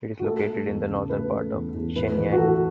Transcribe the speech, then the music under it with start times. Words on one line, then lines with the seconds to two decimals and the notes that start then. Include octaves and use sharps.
It is located in the northern part of Shenyang.
0.19 F#4
0.24 A3 A4
0.46 A3
0.67 E2
0.89 C#3
1.09 A3 B4
1.32 A3
1.53 E2
1.75 E2
1.95 A2 B4
2.17 E3 B4
2.32 F#4
2.38 E3 A4